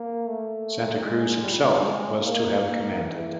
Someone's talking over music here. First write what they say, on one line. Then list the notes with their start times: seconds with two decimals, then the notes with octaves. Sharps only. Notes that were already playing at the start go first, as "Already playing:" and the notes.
Santa Cruz himself was to have commanded.
Already playing: A#3
0.28 A3
1.04 G#3
1.44 G3
1.81 G#3
2.19 A#3
2.57 A#3
2.96 E3